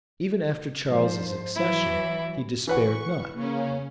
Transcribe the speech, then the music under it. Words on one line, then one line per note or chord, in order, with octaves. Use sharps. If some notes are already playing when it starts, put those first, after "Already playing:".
Even after Charles's accession he despaired not.
G#2 F3 C5
E3 F#3 E4
E3 B4 F#5 C#6
C#3 A#3 C#4